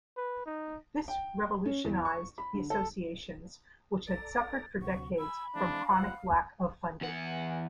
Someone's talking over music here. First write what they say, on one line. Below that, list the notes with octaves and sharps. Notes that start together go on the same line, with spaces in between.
This revolutionized the associations which had suffered for decades from chronic lack of funding.
B4
D#4
G5
C#4
E2
C#6
B5
D3
A4
A4 D5 A#5 A6
D2 C3 F#3 C#6
G#5 B5 E6
E3 G#3 C4 D4 F5
G3 F4 C5 F#5
E2 F#5